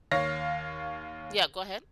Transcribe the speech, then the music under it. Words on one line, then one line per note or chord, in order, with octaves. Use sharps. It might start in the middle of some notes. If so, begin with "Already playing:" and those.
Yeah, go ahead.
D#2 C#5 F5 A#6